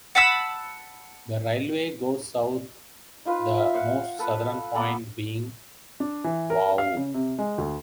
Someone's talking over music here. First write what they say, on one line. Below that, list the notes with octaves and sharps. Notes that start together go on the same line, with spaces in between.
The railway goes south, the most southern point being Wau.
F#5 A5 B5 E6
D#4 F4 B4
E5
C5 F5 F#5
A4 B4
B3 A4 A#5 D6
D4
E3
A#4
F5
C#3
C3
G#3
D2